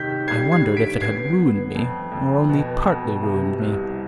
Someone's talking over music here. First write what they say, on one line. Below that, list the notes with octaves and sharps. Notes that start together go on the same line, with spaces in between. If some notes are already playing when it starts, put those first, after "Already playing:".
I wondered if it had ruined me or only partly ruined me.
Already playing: C3 D#3 G6 B6
G3 G#6 C7
G#6 C7
D3
B6 D7
B3 G#6 C7
B3
F2
F2
B2
B2
C3
C2